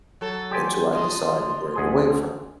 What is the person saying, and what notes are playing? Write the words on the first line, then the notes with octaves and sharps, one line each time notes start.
until I decide to break away from it.
F#3 A4
G4 D5 G#5 C6
F2 D4 D#5
D2 G#4